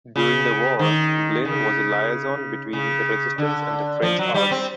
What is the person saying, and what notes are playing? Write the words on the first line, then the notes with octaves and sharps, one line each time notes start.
During the war, Blin was a liaison between the Resistance and the French Army.
C#3
D#3
C#3
C#3
D3
F3
F#3
G3
C4